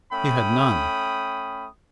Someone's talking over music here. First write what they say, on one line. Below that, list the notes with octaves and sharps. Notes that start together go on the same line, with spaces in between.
He had none.
A3 C#4 G5 B5 D#6